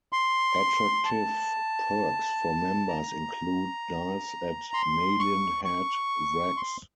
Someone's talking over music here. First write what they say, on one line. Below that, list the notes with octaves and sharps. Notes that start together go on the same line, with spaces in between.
Attractive perks for members include dives at Malin Head Wrecks.
C6
A5
A#5
C6
C#6
C#6
C6